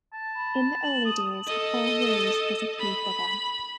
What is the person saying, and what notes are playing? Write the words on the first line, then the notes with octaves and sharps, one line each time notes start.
In the early days, Paul Roos was a key figure.
A5
B5
F#7
D#6
A4 D#5
B5